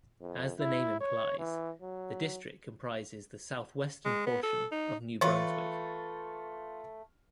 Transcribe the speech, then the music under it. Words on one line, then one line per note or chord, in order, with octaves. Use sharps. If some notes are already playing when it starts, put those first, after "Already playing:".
As the name implies, the district comprises the southwestern portion of New Brunswick.
F2
E4
C#5
E3
F#3
G#3
B3
A4
D#4
E3 A3 F4 B4 C#5 C#6